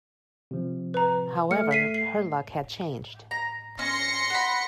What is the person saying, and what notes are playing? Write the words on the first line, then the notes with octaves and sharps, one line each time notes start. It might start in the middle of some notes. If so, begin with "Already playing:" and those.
However, her luck had changed.
C3 F3
B4 A#5
A3 F6 C#7
B6 C7 D#7
C7
A#5
C#4 C6 A#6 C#7
F#5 B5